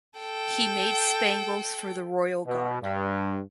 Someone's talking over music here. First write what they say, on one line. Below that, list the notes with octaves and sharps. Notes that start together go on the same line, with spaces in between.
He made spangles for the royal guard.
A4 G5
B2
G2